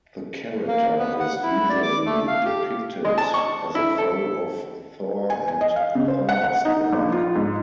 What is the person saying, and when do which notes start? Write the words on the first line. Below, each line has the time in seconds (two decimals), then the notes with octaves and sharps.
The character is usually depicted as a foe of Thor and Thunderstrike.
0.67 A#3
0.99 B3
1.20 F#5
1.43 E4
1.70 D5
1.83 D6
2.06 A3
2.27 F5
2.46 G4
3.05 G#3
3.18 A5
3.34 C#6
3.75 E4
3.98 A4
5.30 G#5
5.48 G#5
5.61 D#5
5.76 F5
5.95 C#3
6.08 C5
6.29 F#5
6.43 F#5
6.65 D#4
6.93 A#1
7.12 F4
7.35 G#2